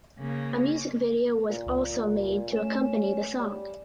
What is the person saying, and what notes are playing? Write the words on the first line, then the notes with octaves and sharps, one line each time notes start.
A music video was also made to accompany the song.
C#3 A#3
A#2
C#2
A3 C#4 E7
G3